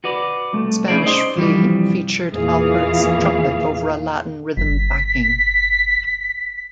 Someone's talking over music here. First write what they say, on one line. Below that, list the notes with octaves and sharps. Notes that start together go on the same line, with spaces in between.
"Spanish Flea" featured Alpert's trumpet over a Latin rhythm backing.
F#4 B4 D5
C2 A3
C#4 D#4 E4 G#4 D5
C5 D5 D#5 F#5 C6
C2 G2 E3 F3 G3
E2 A#2 E3 G#4 F5
G1 B6